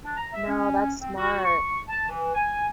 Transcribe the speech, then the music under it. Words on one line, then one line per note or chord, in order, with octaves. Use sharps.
No, that's smart.
D4
A#5
E5
C#4
C4
F#4
C#6
A5
E3
G#5